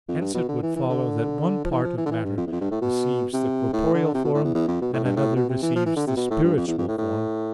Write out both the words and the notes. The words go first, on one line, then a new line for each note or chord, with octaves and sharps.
Hence it would follow that one part of matter receives the corporeal form, and another receives the spiritual form.
F2
G2
B2
D3
E3
E3
D3
F3
E3
F3
E3
D3
E3
G2
F2
E2
F2
G2
A2
B2
C3
A2
D3
C3
B2
A2
E2
E2
F2
B2
A2
G2
A2
B2
C3
E3
F3
E3
D3
C3
B2
A2
G2
F2
E2
F2
A2
A2